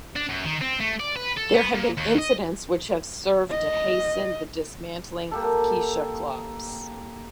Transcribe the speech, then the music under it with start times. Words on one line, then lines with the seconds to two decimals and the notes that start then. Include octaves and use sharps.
There have been incidents which have served to hasten the dismantling of kisha clubs.
0.16 D4
0.29 F#2
0.44 D#3
0.61 C4
0.80 A3
1.00 D5
1.16 B4
1.37 A4
1.55 B3
1.75 A#2
1.97 D#2
2.18 D#5
3.50 D#5
5.31 A#3 G4 A4